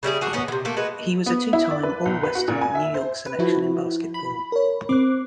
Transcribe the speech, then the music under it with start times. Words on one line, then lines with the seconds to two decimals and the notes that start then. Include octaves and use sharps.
He was a two-time all-Western New York selection in basketball.
0.03 C#3 G3 E4 G#4
0.21 D4 F#4 G#4
0.33 B3 C#4 D#4 F#4
0.48 C3 E3
0.65 A3 A#3
0.76 G#3 F#4 B4
1.26 B3
1.53 E4
1.71 D5
1.83 B4
2.05 B1
2.23 B4
2.35 F#4
2.48 A#2
2.61 G#5
2.75 E5
2.94 C5
3.26 B4
3.39 F3 E4 F#4
4.14 B5
4.52 A#4 C#5
4.89 C4 C5 D6 F#6